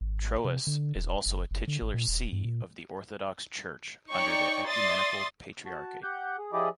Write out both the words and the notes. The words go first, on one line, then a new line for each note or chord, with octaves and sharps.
Troas is also a titular see of the Orthodox Church under the Ecumenical Patriarchate.
G#1
C3
D3
D#1
F#1
F#1
D3
G#1
A#2
D#1
G2
A#2
D#4 C#5 D5 G5 C#6
D5 E5 C6 D#6 A6
F#4 A5
G4 F#5 G6
G#4
F3 E4 G4 G#4 D5 D#5